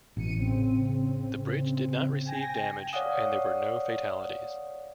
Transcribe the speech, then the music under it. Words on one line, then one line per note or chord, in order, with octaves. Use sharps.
The bridge did not receive damage and there were no fatalities.
A1 B2 C#7 D#7
C#3 C4
G5 G#5 A#6
C#5 D5 F5 F#5 D#6